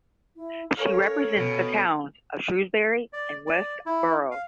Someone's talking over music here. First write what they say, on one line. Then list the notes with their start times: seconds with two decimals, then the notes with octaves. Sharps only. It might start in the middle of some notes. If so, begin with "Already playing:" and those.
She represents the towns of Shrewsbury and Westborough.
0.36 E4
0.77 C#4 A4 A#4 C#5 F5
1.37 B2
3.13 D5
3.46 D5
3.86 E4
4.31 F5